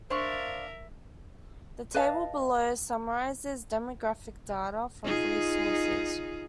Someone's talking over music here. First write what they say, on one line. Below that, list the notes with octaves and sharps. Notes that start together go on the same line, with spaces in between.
The table below summarizes demographic data from three sources.
D4 A#4 C5 E5 F5 C6 C#6
B4 D#5 F5 A5
D#4 F4 G#4